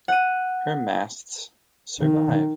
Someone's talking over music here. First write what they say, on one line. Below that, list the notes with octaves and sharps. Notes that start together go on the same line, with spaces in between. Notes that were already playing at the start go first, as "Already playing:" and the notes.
Her masts survive.
F#5 D#7
D#3